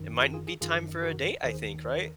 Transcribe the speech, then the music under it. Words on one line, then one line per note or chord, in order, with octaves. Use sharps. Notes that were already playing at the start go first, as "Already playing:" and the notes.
it mightn't be time for a date, I think. Right?
Already playing: F#2 D#3
F4 G#4
F4 G#4
F4 G#4
F#2 D#3 F4 G#4
F#4 A#4
D#2 D#3 G#4 C5
C5
A#4